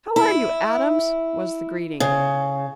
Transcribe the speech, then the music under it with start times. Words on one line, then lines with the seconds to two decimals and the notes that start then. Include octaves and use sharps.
"How are you, Adams!" was the greeting.
0.16 E4
2.00 C#3